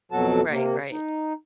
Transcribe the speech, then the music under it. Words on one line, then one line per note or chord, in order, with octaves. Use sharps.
Right, right.
F2 B2 F#3 F#4 A4 A5
C3 A#3
D#4